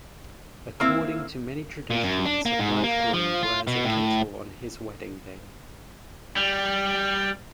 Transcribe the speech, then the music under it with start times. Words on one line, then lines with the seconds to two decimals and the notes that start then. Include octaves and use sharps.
According to many traditions a bridegroom wears a "kittel" on his wedding day.
0.80 A#3 C4 E4
1.91 A#2
2.03 F#2
2.25 D4
2.46 A#3
2.59 G#2
2.84 A#3
3.14 F3
3.43 F4
3.67 B2
3.85 A2
6.36 G3